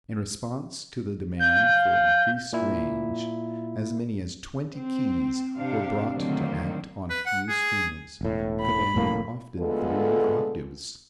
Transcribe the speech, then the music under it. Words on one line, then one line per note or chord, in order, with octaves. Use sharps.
In response to the demand for increased range, as many as twenty keys were brought to act on a few strings, commanding often three octaves.
F5 G6
A#2 E4
C4
C3 D4 F5
A2 D3 D#3 F#3 A#3 C4
B4
F#5
G#4
E1 A2
B5
F1 A2 A#3
D2 G#3 B3 F4 A4